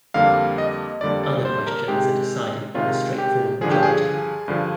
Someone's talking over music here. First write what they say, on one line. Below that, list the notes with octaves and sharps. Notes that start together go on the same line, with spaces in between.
Other questions are decided by a straightforward majority.
F2 D3 G3 A#3 F5
D#5
F2 D3 G3 A#3 D5
D5
C5
A#4
C3 D#3 G#3 G4
C3 D#3 G#3 F4
G4
G2 D3 F3 G#4
G4
G#4
G2 D3 F3